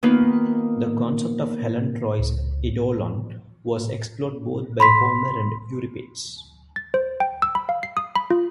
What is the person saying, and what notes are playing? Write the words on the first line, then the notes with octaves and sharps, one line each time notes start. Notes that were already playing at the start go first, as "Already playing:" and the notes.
The concept of Helen of Troy's eidolon was explored both by Homer and Euripides.
D#3 A#3 B3 D#4 F4 B4
C#2
B5 C6 B6
A6
C5
G5
E6
B5
F5
C7
D#6
B5
F4